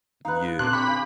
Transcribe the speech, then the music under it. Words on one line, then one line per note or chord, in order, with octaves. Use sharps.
Mm, yeah.
D#4 B4 F5 F#6
A#2 D3 C4 D4 C6 F#6
G4 B5 C#6
G4 F5